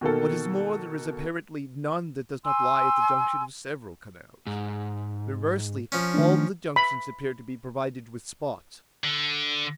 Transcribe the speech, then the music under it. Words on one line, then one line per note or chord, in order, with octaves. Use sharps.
What is more, there is apparently none that does not lie at the junction of several canals. Reversely, all the junctions appear to be provided with spots.
B2 D#3 A#3 A4
G#5 C6 E6
G#2
F3 C#4
D#3 A3 D4
B5
D3